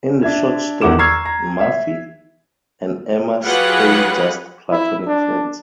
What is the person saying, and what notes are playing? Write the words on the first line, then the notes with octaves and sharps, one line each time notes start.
In the Schott story, Murphy and Emma stay just platonic friends.
D4 E5 G#6
E2 D#3 E4 F#5 D6 E7
A#5 C#6 E6 F6 G#6 C7
A#5
E5
F#3 F4 G4 G#4 B4 F#5
E4
D4